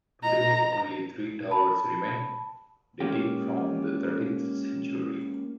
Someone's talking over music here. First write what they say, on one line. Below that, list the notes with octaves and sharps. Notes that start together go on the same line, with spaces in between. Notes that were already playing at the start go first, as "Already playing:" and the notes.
Today only three towers remain, dating from the thirteenth century.
D#5 A#5
A5 B5
G#3 A#3 C#4 F4 G4